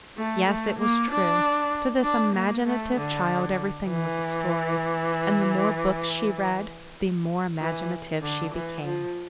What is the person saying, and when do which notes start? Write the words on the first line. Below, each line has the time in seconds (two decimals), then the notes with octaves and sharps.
Yes, it was true; to this imaginative child everything was a story; and the more books she read, the more imaginative she became.
0.17 A3
0.47 A3
0.78 A#3
1.10 D4
2.02 D4
2.34 A#3
2.65 A3
2.96 D3
3.89 E3
7.60 E3
8.22 D3
8.53 E3
8.84 F3